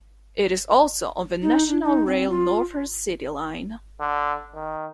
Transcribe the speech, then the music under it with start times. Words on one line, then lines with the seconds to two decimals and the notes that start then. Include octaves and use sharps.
It is also on the National Rail Northern City Line.
1.42 D#4
1.68 D4
1.83 D#4
2.06 C4
2.30 F4
4.00 D3
4.55 D#3